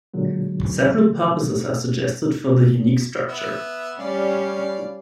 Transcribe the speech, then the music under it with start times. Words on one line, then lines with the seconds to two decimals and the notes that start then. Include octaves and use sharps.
Several purposes are suggested for the unique structure.
0.14 A#2 D3 F#3 G#3
3.29 B3 E5
3.99 G3 C#4 D5 F5 B5